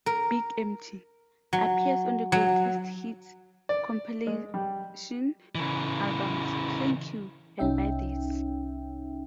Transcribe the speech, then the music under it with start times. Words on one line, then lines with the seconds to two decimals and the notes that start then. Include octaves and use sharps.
"Big Empty" appears on the greatest hits compilation albums "Thank You" and "Buy This".
0.06 A#4
1.53 F#3
2.32 F#3
3.69 D5
4.27 G#3
4.54 G3
5.55 C#3 E3
7.59 C2 C#4 D#4 E5 G5